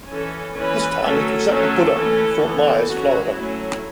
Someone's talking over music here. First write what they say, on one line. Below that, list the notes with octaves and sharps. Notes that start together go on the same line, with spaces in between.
This time it was at The Buddha in Fort Myers, Florida.
E3 C#4 A4
E3 C#4 B4
F#3 A3 C#4 A4
F#3 A3 C#4 A4
E3 A3 C#4
E3 B3
F#3 C#4 F#4
F#3 A3 C#4 E4